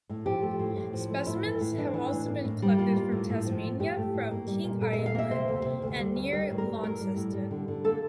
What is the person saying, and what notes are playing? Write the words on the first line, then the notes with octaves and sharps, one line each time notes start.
Specimens have also been collected from Tasmania from King Island and near Launceston.
A2
F3 G4
A3
A2
A2
F3
A3
A2 E4
E3
A2
E3 D4
E3
A2
A#3
A2
G3
A#3 F4
A#3
A2
A2
F3
A2
A2 G4
A3
A2
A#3
G3
A#2
A#2 A4
A#3 E5
F5
A#3 E5
C3 C5
D2
C3
D2
G3
D2
G3 A#4
A2
A#4
A2
A2 A#4
G3
A2
G3
D3
D3
A#3 A4